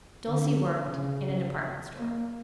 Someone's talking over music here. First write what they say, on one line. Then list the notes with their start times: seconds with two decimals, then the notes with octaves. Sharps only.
Dulcie worked in a department store.
0.29 D3
0.84 C#3
1.97 A#3